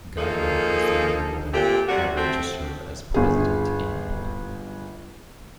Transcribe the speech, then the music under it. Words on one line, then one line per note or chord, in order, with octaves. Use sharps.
Gueiler is the only woman ever to serve as president in Bolivia.
F3 A#3 D#4 G#4 A4
A#2 A3 C4 G4
C3 G3 F#4
A3 C4
G1 G#4